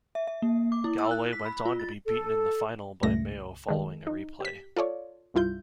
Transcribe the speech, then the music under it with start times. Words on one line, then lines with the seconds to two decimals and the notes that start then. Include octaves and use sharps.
Galway went on to be beaten in the final by Mayo following a replay.
0.15 E5
0.27 E5
0.42 A#3
0.72 D6
0.84 E4
0.99 E6
1.11 F#6
1.33 B6
1.46 B5
1.65 F4
1.80 A6
2.06 A4
3.03 C#2 G2 A#2 A3 A#6
3.69 D#3 G#3
4.07 D#4
4.41 G4 B6
4.76 F4 A4 C#5 D5
5.34 C2 G2 E4 F4 G6